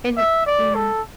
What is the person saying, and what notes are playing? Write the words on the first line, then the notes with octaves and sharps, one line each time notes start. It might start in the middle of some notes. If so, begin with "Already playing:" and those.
And yeah.
E5
D5
A4